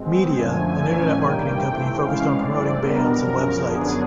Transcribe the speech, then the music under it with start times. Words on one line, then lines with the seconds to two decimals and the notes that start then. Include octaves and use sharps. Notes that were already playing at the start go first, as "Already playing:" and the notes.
Media, an Internet marketing company focused on promoting bands and Web sites.
Already playing: B2 G#3 C4
0.31 F#2 D3 F3 A3 G#5
0.73 A#2 F3 A3 C#4 G#5
1.13 G2 D#3 G3 A#3 G5
1.54 C3 E3 A3 C4
1.95 C#3 E3 G#3 C#4 F5
2.35 G2 E3 A3 C4 D5
2.76 B2 G3 B3 D4 A#4
3.17 F#2 C#3 F3
3.57 F#2 D3 F#3 B3 D4 G#4